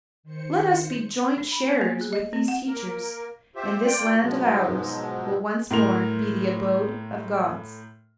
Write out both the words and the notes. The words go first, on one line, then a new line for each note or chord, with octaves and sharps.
Let us be joint sharers with these teachers, and this land of ours will once more be the abode of gods.
D#3 C5 C#7
D4
B5
B3
A#3
G#4
D#5
C4
F#5
A#3 A#4
F4 G4 C5 E5
A#3 F4 D5 G5
G#2 B2 F3 F#3 G#3
A2 A#4 C6 F7